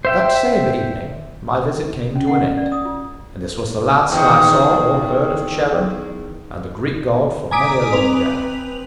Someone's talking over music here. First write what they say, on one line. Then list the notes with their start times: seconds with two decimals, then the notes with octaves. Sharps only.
That same evening my visit came to an end, and this was the last I saw or heard of "Charon" and "the Greek god" for many a long day.
0.05 C5 E5 G5
2.16 C#4
2.27 F#5
2.44 E6
2.57 D5
2.72 D#6
2.85 F4
4.12 E2 D#3 G5
7.51 G#5 A#5 D6 D#6 B6 D7
7.92 C4 B4 F7